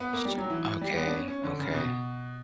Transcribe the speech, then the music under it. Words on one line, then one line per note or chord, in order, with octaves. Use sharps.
Sh Okay, okay.
B3
A#3
G3
F#3
E3
E3
G3
B3
D4
C#4
C#4
D3
C#3
B2